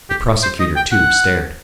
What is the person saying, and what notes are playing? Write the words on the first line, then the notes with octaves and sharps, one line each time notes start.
The prosecutor, too, stared.
G4
C5
D#5
G5
F#5